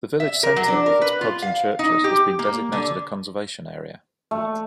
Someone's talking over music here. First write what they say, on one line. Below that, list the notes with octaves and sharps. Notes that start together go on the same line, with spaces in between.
The village centre with its pubs and churches has been designated a conservation area.
E5
A#4
F#3
D4
A#4
B4
F4
F5
D#4
G4
A#3
D3
A3